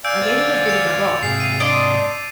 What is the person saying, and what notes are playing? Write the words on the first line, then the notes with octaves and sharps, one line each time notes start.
I gave him as good as I got.
D5 F5 G#5 E6 G6 D7
F#4 C5 A6
C#7 F7
G#2 C3 G#4 F5 C7
D#7
D4 D#5 C6 D6